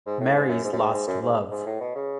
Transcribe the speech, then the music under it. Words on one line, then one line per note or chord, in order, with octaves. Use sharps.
Mary's lost love.
G#2
A2
G#2
F#2
G#2
F#2
G#2
G#2
F#2
G#2
G#2
A2
B2
C#3